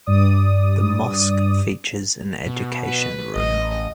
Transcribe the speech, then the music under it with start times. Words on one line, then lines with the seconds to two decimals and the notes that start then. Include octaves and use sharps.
The mosque features an education room.
0.06 G2 D5 D#6
2.46 B2
2.86 B4
3.36 A1 D#5